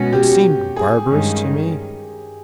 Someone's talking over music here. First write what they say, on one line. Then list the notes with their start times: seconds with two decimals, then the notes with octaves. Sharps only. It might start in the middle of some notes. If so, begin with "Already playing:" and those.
It seemed barbarous to me.
Already playing: B2 G#3 C#4 F#4
0.13 G4
0.76 G#4
1.08 G2 D#3 G#3 C#4